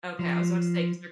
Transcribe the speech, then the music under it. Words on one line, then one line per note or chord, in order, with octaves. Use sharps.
Okay, I was about to say, 'cause they're
F3